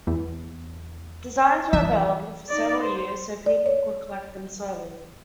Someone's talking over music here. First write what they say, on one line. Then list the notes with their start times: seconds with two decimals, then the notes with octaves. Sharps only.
Designs were available for several years so people could collect them slowly.
0.07 E2
1.73 E3 E5
2.49 D#4 D5
2.82 C5
3.46 D5
3.66 C#5